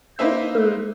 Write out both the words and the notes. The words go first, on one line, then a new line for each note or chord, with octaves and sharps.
sweet food,
A#3 D#4 B4 C5 D#5 E5